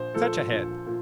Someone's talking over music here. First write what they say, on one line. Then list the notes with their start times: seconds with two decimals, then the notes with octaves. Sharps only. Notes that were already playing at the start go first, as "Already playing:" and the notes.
Such a head!
Already playing: A#1 C5
0.14 A#2 F3 A4
0.51 A#1
0.86 A#2